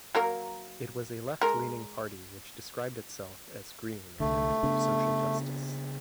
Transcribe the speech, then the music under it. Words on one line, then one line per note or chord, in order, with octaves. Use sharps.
It was a left-leaning party which described itself as green and for social justice.
F#3 A#3 A#4
G#3 A#4
C2 D3 A3
C#3 B3 D4